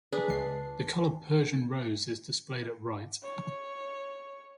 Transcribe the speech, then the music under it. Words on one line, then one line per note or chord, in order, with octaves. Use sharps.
The color Persian rose is displayed at right.
D4 G#4 B4
C#2 C7
C#5